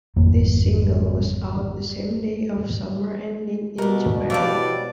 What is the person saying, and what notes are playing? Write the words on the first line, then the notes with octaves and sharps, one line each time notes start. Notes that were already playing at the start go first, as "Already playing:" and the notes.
This single was out the same day of summer ending in Japan.
G#1 F2 F#3 A#3
B2 A3 D4 A#4
E3 F3 G3 C#5 D5 F5 A5